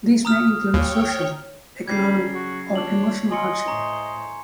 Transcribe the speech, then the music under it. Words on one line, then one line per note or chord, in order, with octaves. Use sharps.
These may include social, economic or emotional hardship.
A#5 D#6 F6
D#2 C#5 G5
C#3 F#3 G3 G#6 C7
F#4
D4 C#5 F#7
D#5 G#5 C6 C#7
A2 C5 A#5 C#6